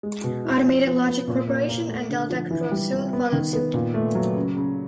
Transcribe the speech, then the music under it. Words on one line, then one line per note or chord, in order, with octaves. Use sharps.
Automated Logic Corporation and Delta Controls soon followed suit.
G#3
B2
E4
F3
F3
B3
A#2
A#3
A#3
A3
D3
F3
E3
G3
C4
B3
D#3
B3
A#2
A3
F#3
C#3
C#3